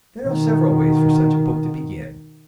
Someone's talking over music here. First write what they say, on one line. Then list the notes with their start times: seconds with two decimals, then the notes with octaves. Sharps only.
There are several ways for such a book to begin.
0.23 B2 D#3